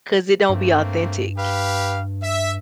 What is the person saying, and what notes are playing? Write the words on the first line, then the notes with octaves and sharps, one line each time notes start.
'Cause it don't be authentic.
G2 A3 A#3 C4
G4 B4 F5
E5